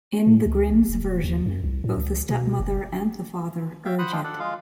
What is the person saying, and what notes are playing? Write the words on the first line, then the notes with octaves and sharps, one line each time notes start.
In the Grimms' version, both the stepmother and the father urge it.
A2
C#2
A#1
E1
D#2
F#2
C2
A2
C#2
B2
F#1
E5 F5 G5
C5 F#5 B5 D#6 F#6
G#3 D4 F4 G5
D4 A4 D5 F#5
G#3 F4 F5